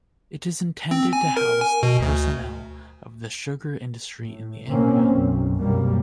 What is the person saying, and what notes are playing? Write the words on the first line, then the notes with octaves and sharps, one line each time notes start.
It is intended to house the personnel of the sugar industry in the area.
C4
G#5
A#4
G#5
B2
D2
A2
B2 A#3 C4 C#4
B1 F#2
C2 F#2 B2 G3 A#3